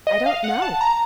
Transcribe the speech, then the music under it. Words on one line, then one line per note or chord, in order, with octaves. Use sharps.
"I don't know."
D#5
F5
F#5
A5
A#5